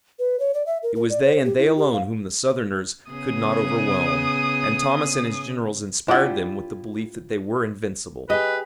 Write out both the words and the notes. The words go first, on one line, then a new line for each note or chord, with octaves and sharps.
It was they and they alone whom the Southerners could not overwhelm, and Thomas and his generals inspired them with the belief that they were invincible.
B4
C#5
D5
E5
A#4
A#4
D5
C5
G4
E4
G4
F5
C#3 B3 G#4 D#6
D4 E4 F4 G4 F#5
G4 G#4 B4 D#5